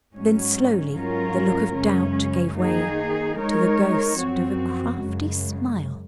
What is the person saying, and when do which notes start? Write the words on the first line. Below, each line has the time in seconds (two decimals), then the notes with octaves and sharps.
Then slowly the look of doubt gave way to the ghost of a crafty smile.
0.13 G#2 F#3 C#4
0.94 G#2 F#3 C#4 F4 A#4
1.76 F#2 C#3 G#3 C#4
2.57 D#3 A#3 D#4 G#4
3.38 G#3 D#4 A#4 C#5
4.19 F#2 F3 C4 F#4
5.00 F#2 C#3 G#3